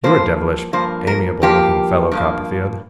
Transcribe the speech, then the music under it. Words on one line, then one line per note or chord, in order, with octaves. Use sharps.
You're a devilish amiable-looking fellow, Copperfield.
G2 F3 A#3 C5
G2 F3 A#3 C5
A#4
G2 F3 A#3 G4
G2 F3 A#3